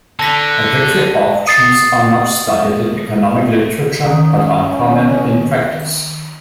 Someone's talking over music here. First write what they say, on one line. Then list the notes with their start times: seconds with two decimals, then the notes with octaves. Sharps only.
Vickrey auctions are much studied in economic literature but uncommon in practice.
0.19 D3 A5 A#6 B6
1.47 D#6 A6 C7
4.06 D#3 C#4